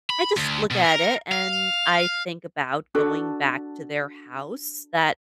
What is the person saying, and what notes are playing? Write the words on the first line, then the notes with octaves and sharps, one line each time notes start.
I just look at it and I think about going back to their house that
B5
D2
B2
A#4
F5
D4 F#4 A4